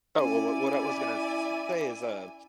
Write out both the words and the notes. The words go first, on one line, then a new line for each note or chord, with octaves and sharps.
Oh, well, what what I was gonna s say is, uh,
C#4 E4 D5 E5 G#5